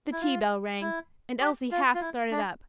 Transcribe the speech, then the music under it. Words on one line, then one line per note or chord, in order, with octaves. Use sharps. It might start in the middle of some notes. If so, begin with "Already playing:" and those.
The tea-bell rang, and Elsie half started up.
E4
F4
E4
G4
F4
F4
E4
D4